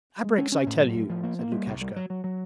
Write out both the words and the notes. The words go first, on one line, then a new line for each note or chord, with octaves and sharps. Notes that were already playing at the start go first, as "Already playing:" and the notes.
'Abreks, I tell you!' said Lukashka.
G#3
C#4
C#4
A2
F#3
A2
F3
A#3
A#3
G3
C2
G3
F#3
F#3
F#3